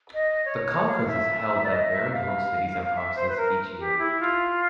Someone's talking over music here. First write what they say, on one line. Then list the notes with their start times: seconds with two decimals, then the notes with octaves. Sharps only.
The conference is held at varying host cities and provinces each year.
0.14 D#5
0.45 C#5
0.67 C#5
0.87 F5
1.08 E5
1.64 D5
1.71 D#5
1.91 E5
2.13 F5
2.82 F5
2.96 E5
3.16 C5
3.29 B4
3.37 A#4
3.79 G4
3.99 E4
4.20 F4